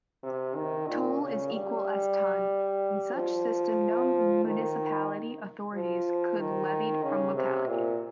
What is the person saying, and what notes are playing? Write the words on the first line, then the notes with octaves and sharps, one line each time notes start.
Toll is equal as ton...in such system no municipality authorities could levied from locality.
C3
D#3
A#2
C#3
G3
F3
D#3
F3
D#3
C#3
C3
A#2